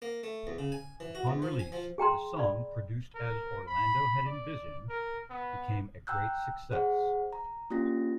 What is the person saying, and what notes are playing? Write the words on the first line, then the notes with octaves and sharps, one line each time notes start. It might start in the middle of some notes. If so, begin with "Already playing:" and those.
Upon release, the song, produced as Orlando had envisioned became a great success.
A#3
A3
E2
C#3
G#5
E3
F#4
E2
F3
G#5
F3
G#4 G5 A#5 C6
D5 B5
A#4
B5
D5
A#4
B3
G5 A#5 E6 F#6 G6
G#4 C5 F#5
A#5
A#3 C#4 D4 F4 G4 A#6